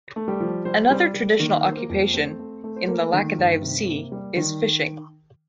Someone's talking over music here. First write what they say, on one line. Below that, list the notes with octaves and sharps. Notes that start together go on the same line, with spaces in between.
Another traditional occupation in the Laccadive Sea is fishing.
A3
G3 G4
F3
G3 C5
G3 C4 C5
G3
D#3 A#3 A#4
A#3
C5
A#3 A#4
F2
A3 C4 C5
A3
A3
C5
A3 A#3 A#4
D#3
G2
C3
A#3
G3
D#3